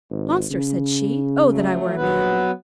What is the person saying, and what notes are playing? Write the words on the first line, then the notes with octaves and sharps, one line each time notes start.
"Monster!" said she; "oh! that I were a man!"
G#1
C#3
F#3 A3
A#1 F#3 B3 B4